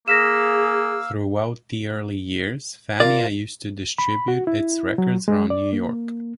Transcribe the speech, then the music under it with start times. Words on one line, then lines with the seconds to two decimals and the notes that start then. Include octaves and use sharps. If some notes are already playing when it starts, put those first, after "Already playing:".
Throughout the early years, Fania used to distribute its records around New York.
0.08 A#3 G#4 F5 E6 A#6 B6 E7
3.00 F4 A#4 D5
3.98 B5
4.28 F#4
4.47 E4
4.98 F#3
5.28 G#3
5.50 D5
5.73 A#3